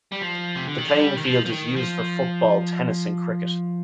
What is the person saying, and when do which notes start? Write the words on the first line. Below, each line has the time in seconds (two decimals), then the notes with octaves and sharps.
The playing field is used for football, tennis and cricket.
0.12 G3
0.21 F3
0.55 C3
0.67 D3
0.78 D#3
0.88 F3
0.99 G3
1.17 D#3
1.24 F3
1.45 F3
1.50 D#3
1.76 F3